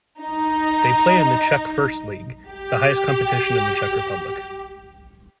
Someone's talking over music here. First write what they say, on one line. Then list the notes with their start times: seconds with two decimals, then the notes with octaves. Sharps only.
They play in the Czech First League, the highest competition in the Czech Republic.
0.20 D#4
2.48 G4